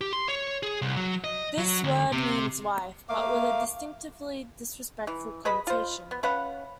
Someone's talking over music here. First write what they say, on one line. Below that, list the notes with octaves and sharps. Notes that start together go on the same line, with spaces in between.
This word means wife, but with a distinctly disrespectful connotation.
G4
C6
C#5
G#4
C2
F#3
D#5
F#3
D2
C3
A3 A#3 F5 D6
E3
G#4 B4 D#5 B5
F4 C5
B3
C#4 B4 F5 F#5